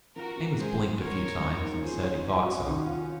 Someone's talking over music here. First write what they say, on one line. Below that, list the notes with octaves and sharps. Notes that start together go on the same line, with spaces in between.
Amos blinked a few times and said he thought so.
F3 F#4 A#4
F3
G#3 G#4 C5
C4
F#3 A#4 C#5
G#4
C4
D#4
F3 G#4 C5
C#5
C4 C#4
F#4
D#3 C#4
F4